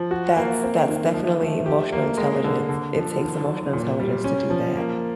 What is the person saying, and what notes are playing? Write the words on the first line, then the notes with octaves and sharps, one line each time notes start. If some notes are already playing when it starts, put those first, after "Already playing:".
That's that's definitely emotional intelligence. It takes emotional intelligence to do that.
Already playing: F3
F#4
A#3
C4
D#3
F3
A3
G4
A#3
G#3
D3
D3
F3
D#3
F#3
A#2
G3
C#4
F3
A#3